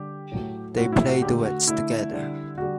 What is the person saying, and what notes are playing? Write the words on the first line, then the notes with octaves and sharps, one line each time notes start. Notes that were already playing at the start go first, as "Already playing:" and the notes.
They play duets together.
Already playing: D3 G3 G4
A2 F#3 A3
A2 F#3 A3 F#4
E4
F#4
D3 A3 G4
F#4
D3 A3 E4
D3 G3
D3 G3 F#4